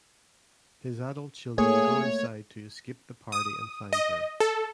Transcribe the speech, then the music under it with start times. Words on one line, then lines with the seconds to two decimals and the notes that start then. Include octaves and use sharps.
His adult children go inside to escape the party and find her.
1.58 A3 A#3 G#4 C#5
3.32 D#6
3.93 D#5
4.40 A4